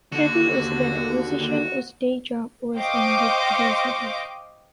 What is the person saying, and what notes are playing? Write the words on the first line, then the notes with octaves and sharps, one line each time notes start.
Kathi was then a musician whose day job was in book publicity.
D#2 D3 F#4
C5 D#5 F5 G5 C#6 D6